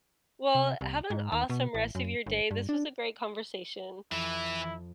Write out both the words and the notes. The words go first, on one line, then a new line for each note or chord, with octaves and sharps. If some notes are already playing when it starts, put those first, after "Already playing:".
well, have an awesome rest of your day, this was a great conversation.
C3
C2
G#2
D#2
B2
A1
F#2
G1
G2
D4
F2 E3 E4